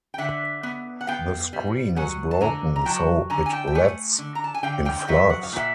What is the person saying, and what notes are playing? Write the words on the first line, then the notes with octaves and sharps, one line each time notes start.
The screen is broken so it lets in flies.
G5
D3 E5 F#5
B3
F#5
B3 F5 G5
G3
F#3 F#5 G#5
A5
D3 G#5 A#5
A#5
F#3 G5 A5
D3 G#5 A#5
G#5
G5 A5
G5
A3 F#5 G#5
D3
A#5
A5
G#5
D3 F5 G5
F5 G5
G5
F#3 E5 F#5
F#5
F5
A#2 E5 F#5